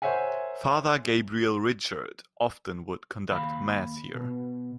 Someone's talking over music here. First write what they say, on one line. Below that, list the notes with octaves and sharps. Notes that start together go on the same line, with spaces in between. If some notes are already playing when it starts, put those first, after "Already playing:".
Father Gabriel Richard often would conduct Mass here.
A#4 C5 C#5 E5 F#5 G#5
D#2 F5 B5
B2